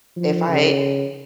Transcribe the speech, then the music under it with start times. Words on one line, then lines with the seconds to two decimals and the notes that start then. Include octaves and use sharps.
if I
0.16 F3
0.48 C#3